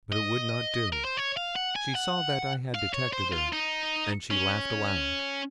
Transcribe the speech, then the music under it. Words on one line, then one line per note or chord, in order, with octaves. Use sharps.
But it would not do: she saw that I had detected her, and she laughed aloud.
D#5
A#4
C5
C#5
F5
F#5
G#5
F#5
F5
C#5
C5
F4
D#4
C#4